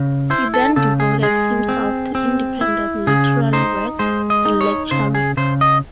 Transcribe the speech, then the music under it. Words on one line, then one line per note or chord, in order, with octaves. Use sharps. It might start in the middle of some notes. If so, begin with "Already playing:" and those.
He then devoted himself to independent literary work and lecturing.
Already playing: C#3
E4 C5
A4
C#3 A4
G#4
G#3 G#4
C4
C4
E4
C#3 G#4
D#4 C5
G#3 C5
D#5
D#4
C#5
C#3 C5
G#4
C#3 C5
D#5